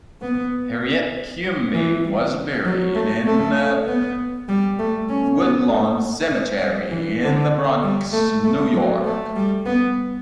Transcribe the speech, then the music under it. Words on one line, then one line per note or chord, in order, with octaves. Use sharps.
Harriet Quimby was buried in the Woodlawn Cemetery in The Bronx, New York.
B3
G3
E3
G3
F#3
A3
A3
B3
G3
A3
C#4
B3
A3
G3
E3
D3
G3
A3
A3
F#3
A3
G3
B3